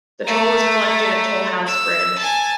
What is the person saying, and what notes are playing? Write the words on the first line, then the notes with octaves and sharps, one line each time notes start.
The toll was collected at toll house bridge.
A3 A#5
E6
G#5 A5